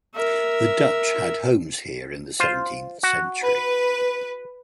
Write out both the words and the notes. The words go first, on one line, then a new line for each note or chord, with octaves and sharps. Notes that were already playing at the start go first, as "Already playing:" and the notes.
The Dutch had homes here in the seventeenth century.
A#4 E5
F4 C5
F#4
B4